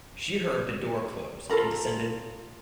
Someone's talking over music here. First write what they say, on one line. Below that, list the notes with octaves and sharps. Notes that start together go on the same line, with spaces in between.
She heard the door close, and descended.
F4 A4 A#4 B5